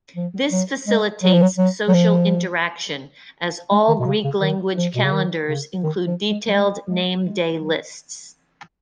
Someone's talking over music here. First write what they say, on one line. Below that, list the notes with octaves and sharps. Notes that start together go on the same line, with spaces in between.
This facilitates social interaction, as all Greek language calendars include detailed name day lists.
F3
F#3
G#3
F#3
F3
F#3
F#3
F#3
F3
G#3
D#3
B2
C#3
C#3
D#3
F3
B2
C#3
D#3
C#3
D#3
F3
G#3
F#3
G#3
G#3
G#3
F#3